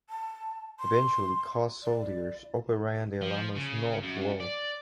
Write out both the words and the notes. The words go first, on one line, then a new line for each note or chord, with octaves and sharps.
Eventually Cos' soldiers overran the Alamo's north wall.
A5
C6
D5
F3
C#3
F#2
D5